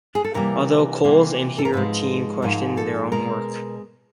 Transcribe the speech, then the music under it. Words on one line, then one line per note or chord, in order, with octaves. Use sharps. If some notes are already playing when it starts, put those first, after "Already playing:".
Although Colls and here team question their own work.
G#4
A4
C3 E3 G3 A#3 A#4
C3 E3 G3 A#3
A4
A#4
G#2 F3 G#3 B4
G#2 F3 G#3 A#4
A4
B2 G#3 A#4